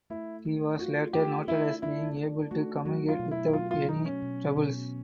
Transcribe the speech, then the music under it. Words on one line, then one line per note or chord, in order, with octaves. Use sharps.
He was later noted as being able to communicate without any troubles.
A3 E4
A3
F4 F#4
A3 G4
D4 E4
D4 E4
D4
A3 F#4
F#3 F#4
F4
B2
E4
F#3 F4
F4
F#3 D#4
C#4
B2
B2